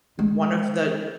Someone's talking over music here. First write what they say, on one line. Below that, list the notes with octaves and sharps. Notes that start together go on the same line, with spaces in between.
one of the
G#3